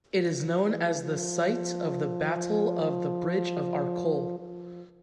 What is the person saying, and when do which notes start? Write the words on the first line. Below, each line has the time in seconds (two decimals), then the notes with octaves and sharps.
It is known as the site of the Battle of the Bridge of Arcole.
0.21 F3
0.62 E3
1.04 F3
4.38 F3